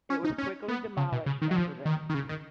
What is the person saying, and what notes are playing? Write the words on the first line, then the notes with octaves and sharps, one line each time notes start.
It was quickly demolished after this.
C#4
D#4
C#4
B3
C#3
B2
C#3
D#3
F#3
F3
D#3
D#3
C#3
D#3